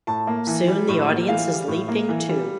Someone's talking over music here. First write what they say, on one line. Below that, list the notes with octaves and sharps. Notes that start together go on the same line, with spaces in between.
Soon the audience is leaping too.
A2 A5
A#3
E3
G3
A2
A#3
E3 F5
G3
A2
A#3
E3
G3